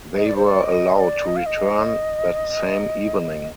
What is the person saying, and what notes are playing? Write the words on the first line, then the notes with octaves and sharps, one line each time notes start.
They were allowed to return that same evening.
D#5
D5
C5
D5
D#5
D#5
D5
D#5
F5
D#5